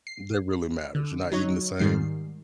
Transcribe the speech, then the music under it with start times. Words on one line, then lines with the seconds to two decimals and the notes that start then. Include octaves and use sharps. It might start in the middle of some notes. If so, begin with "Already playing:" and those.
That really matters, you're not eating the same.
0.07 C7
0.95 D3
1.32 F#3 D#4 C#5
1.79 G#2 D#3 G3 C7